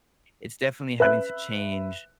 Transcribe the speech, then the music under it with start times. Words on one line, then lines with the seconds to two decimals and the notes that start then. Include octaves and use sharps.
it's definitely having to change,
1.00 B4 E5 F#6